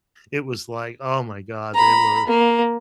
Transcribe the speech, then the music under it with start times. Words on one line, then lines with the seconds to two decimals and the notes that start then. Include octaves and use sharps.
it was like oh my god, they were
1.74 A#5 B5
2.27 A#3